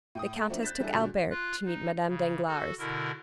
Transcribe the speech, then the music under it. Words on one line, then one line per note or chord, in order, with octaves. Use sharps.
The countess took Albert to meet Madame Danglars.
A2 G5 D#6
A4 A#5
F3 A3 C4 D4 E4
F#6 G6 A6 B6 E7
G3 D4 E4 G#4 A4
A#2 D3 C#4 F#4 G#4
F4 F#6
D#4
C#3
F#4 A4
B2 D3 E4 A#4